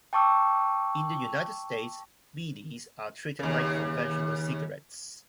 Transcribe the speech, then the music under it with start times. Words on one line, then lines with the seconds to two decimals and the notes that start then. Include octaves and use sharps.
In the United States, beedies are treated like conventional cigarettes.
0.13 G5 A5 C#6 D6 E6
3.39 D#2 C#3